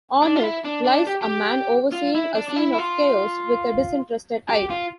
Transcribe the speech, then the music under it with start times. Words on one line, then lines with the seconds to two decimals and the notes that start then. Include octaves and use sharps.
On it lies a man overseeing a scene of chaos with a disinterested eye.
0.22 D4
0.36 F4
0.43 E4
0.64 D4
0.85 D4
1.07 G4
1.22 G4
1.92 F4
2.15 E4
2.35 D4
2.49 D4
2.56 E4
2.73 E4
2.78 F4
4.49 G4
4.70 F4